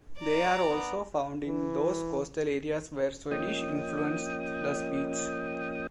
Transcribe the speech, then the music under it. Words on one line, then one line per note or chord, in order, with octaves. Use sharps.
They are also found in those coastal areas where Swedish influenced the speech.
D5 A#5
B3
E3
F3 A#3 C#4 D#5 G5 D#6